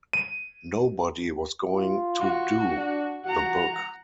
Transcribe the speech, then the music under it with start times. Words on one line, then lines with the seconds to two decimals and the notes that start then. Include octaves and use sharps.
Nobody was going to "do" the book.
0.13 D#7
1.73 F4
2.20 F#4
2.77 D4
3.25 F#4 F#5 A#5